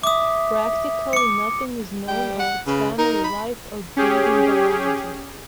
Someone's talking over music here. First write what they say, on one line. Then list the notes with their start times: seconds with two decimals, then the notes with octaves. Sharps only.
Practically nothing is known of its family life or breeding biology.
0.03 E5 D6 D#6
1.13 D6 C#7
2.08 G3 G5
2.39 F#5
2.67 C#3 B4
2.98 D#4 A#4
3.24 B5
3.97 C#4 G4 G#4